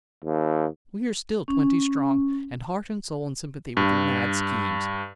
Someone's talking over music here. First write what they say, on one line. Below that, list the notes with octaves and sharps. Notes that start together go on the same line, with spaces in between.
We are still twenty strong, and heart and soul in sympathy with your mad schemes.
D#2
C#4
G2